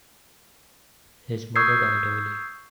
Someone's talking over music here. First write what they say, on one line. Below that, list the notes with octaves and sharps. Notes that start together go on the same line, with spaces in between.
His mother died early.
C#6 D#6 E6 G6 G#6 C7